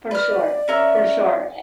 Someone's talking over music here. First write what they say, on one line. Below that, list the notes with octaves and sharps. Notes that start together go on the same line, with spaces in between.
For sure, for sure.
B4 D5 F6
C#4 A#4 E5